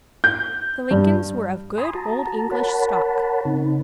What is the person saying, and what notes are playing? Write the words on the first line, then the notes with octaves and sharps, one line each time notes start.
The Lincolns were of good old English stock.
G6
G2
G#5 B5 C6 D#6
F#4 A5 A#5
A#4 C#5 F#5 A5 B5
C#3 C4 D#4